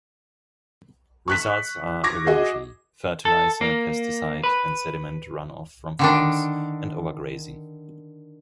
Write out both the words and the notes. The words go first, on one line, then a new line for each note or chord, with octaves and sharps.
Results are erosion; fertilizer, pesticide and sediment runoff from farms; and overgrazing.
C#6 F#6 B6
C#6 D6 G#6 A#6
F#4 G#4 D#5
A4
A#3
B4
D3 D#3 D4